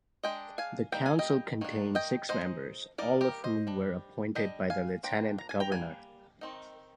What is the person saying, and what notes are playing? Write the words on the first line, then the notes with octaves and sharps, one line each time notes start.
The council contained six members, all of whom were appointed by the Lieutenant-Governor.
G#3 D4 D#5 G5
F5 G#5
G3 A#3 D#4 G5
G#5
D#5 G5
D#3 A#3 D4
D#5 G5
G#3 C4 D#4 C5 D#5
G3 A#3 D#4 A#4 D5
G4 A#4
C5 D#5
G3 D4
G3 D4 D#5 G5
F5 G#5
F3 A#3 D4 G5 A#5
A#5
G#5
G5 A#5
G3 A#3 G#5
D#3 G#3 C4 D#4